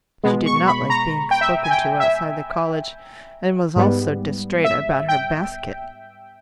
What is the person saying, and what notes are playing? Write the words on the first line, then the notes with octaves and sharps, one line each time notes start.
She did not like being spoken to outside the college, and was also distrait about her basket.
B2 G#3 B3
C#6
B5
A#5
G5
E5
G#5
G5
E5
G#2 G3 B3
E5
G5